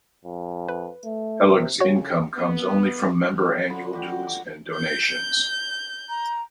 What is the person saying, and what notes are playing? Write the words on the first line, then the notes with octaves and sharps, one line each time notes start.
Hellug's income comes only from member annual dues and donations.
F2
B4
A3
C3
C#3 F#4 C#5
B3
D3 F3 B5
F#4 G4 F#5
F#5 D6
G6
A#5